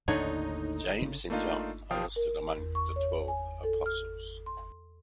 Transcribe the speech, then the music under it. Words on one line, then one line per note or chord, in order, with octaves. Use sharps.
James and John are listed among the Twelve Apostles.
D#2 A2 D3 D#4 C#5
C#3
A3 A#3 D4 D#4 F4
B1 F3 F5 G5 A5 D#6
A#4
E2
C#6
C#5
G#5
A4
F6
C6